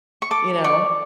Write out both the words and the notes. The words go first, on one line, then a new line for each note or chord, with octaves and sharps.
you know?
C#6
A4 D6
D5 C#6